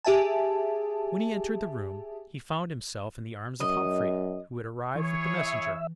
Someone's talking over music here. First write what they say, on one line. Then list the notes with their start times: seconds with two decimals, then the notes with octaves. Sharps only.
When he entered the room, he found himself in the arms of Humphrey, who had arrived with the messenger.
0.04 G4 G#4 E5 G#5 A5
3.60 F#2 D#5
4.95 E3 E4 G#4 C#5
5.38 E5